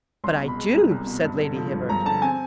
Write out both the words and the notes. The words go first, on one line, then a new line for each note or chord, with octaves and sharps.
"But I do," said Lady Hibbert.
C2 C6
B2
B5
G#3
C2
C2
B2
G2
D3
F3
G2
G2 A#5
D3 A5
C4 G#5